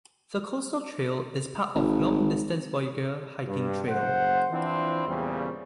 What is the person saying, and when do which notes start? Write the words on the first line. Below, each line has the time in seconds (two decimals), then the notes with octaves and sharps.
The Coastal Trail is part of the long-distance Voyageur Hiking Trail.
1.75 G#1
3.47 G2
3.87 F#1 C5 F#5
4.51 E3 F3 C4 D4 E4
5.07 E2 A#2 C#3 G3 C4